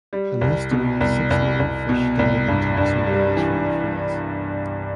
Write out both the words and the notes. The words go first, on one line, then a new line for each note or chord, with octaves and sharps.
An estimated six million fish died in Texan bays from the freeze.
G3
C2
B2
C2
C2
C2
B2
C2
G2
G2
G3
E3